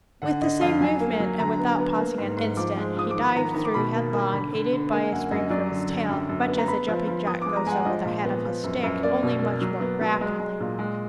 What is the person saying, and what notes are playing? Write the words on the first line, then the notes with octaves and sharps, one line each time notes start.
With the same movement, and without pausing an instant, he dived through headlong, aided by a spring from his tail, much as a jumping jack goes over the head of his stick, only much more rapidly.
D3 F#5
D3 D#5
F2 F5
F#3 G#5
A#3
F#3
D3 A#5
B3
B3
A#3
G#2
G#2
F3 D6
G#3
F3 D#6
D#3 D6
B5
D#3 A#5
D#3 A#5
D6
B2 B5
A#3
A#3
D3 B5
D3
D3
A#3 G#5
F#2 F#5
F#2 D#5
F#3 D5
D3
D3
F#2
F#2
B3
A#5
B3 B5
F3
F3
B3 D#6
G#3 D6
A#5
G#3 F#5 G#5
F3 D#5
A#2
B3
F3
F#2
F#2
A#3 D5
B2
A#3
F#3
B3
F#3
G#3 D#5
G#3
A#2
G#3